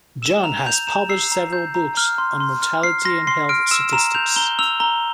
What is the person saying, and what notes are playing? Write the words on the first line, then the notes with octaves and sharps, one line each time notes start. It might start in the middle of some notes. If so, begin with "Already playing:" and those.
John has published several books on mortality and health statistics.
E6 E7
A#5 F7
G6 F7
A#5 E7
E6 C7
A#5
G6
A#5
F6
C6
C6
F6
F6 C7
C6 A#6
C6 C7
F6 D7
E6 E7
A#5 E7
G6 F7
A#5 G7
E6 F7
A#5 G7